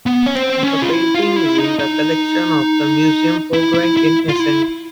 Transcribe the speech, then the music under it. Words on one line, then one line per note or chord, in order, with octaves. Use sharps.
The painting is in the collection of the Museum Folkwang in Essen.
B3
C#4
C4
C#4
F4
E4
F4
E4
D#4
D#4
E4
E4
E4
F4
E4